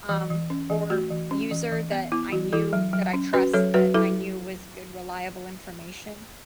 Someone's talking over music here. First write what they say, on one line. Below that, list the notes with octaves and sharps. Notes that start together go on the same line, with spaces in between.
um, or user that I knew that I trust, that I knew was good reliable information,
E3
E3
C#4
E3
A3 F#4
E3
C#4
E3
E3
B3
B3 E4
E3 F#4
E3 E4 A4
F#3
F#3
C#4
C#4 F#4 B4
F#3 A4 C#5
F#3 F#4 B4
F#3 E4 A4